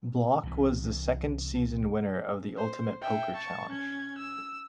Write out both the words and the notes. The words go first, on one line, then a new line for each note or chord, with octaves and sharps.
Bloch was the second season winner of the Ultimate Poker Challenge.
C2 C3 E3
C5
E5 G5
A5 C#6
C#4 G#6
E6